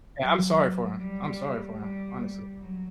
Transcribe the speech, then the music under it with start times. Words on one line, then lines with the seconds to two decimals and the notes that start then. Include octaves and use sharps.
Yeah, I'm sorry for him, I'm sorry for him, honestly,
0.17 F#3
0.98 G3
1.78 G3
2.59 F#3